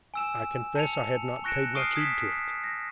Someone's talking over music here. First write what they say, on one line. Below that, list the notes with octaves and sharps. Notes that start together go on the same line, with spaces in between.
I confess I had not paid much heed to it.
G#5 E6 E7
A5 C#7 F7
C#6 F#6 A#6 C#7 D7 E7
C#6 D#6 F6 C7 D7 D#7
D#6 G#6 B6 E7
A#6